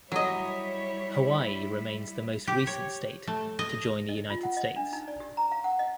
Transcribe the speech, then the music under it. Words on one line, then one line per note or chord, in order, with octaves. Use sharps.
Hawaii remains the most recent state to join the United States.
F#3 G3 E4 C#5 D#5
G4
C#5
A3
D#5
D#5
F4
F#5
D#5
D4
D#4
D5
G4
A#5
F5
F#5
D#5